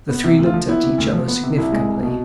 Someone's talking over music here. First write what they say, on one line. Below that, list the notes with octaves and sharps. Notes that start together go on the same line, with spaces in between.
The three looked at each other significantly.
B3
C3 E4
D2
F4
F3
B3 E4
C3
D2
F3
B3
C3
C2 E4
G#3
C2
B2